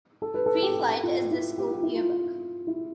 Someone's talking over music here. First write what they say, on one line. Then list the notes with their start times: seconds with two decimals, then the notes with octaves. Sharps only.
"FreeFlight" is the school yearbook.
0.22 A4
0.34 B4
0.46 A4
0.63 G4
1.03 F4
1.31 E4
1.58 G4
1.71 F4
1.83 E4
1.95 F4
2.67 E4